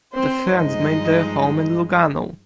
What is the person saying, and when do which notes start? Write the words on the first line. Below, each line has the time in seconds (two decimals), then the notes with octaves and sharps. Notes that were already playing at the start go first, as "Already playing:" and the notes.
The friends made their home in Lugano.
0.14 C4 C5
0.55 G2 F3 G#3 D#4 D#5